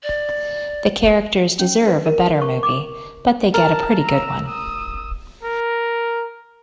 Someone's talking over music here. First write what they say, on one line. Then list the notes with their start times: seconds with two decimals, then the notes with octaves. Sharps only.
The characters deserve a better movie, but they get a pretty good one.
0.03 D5
1.59 C#4
1.88 B4
2.06 A#4
2.42 C#6
2.63 D6
3.54 A#4 A5
4.02 A#5 E6
4.48 D#6 E6
5.43 A#4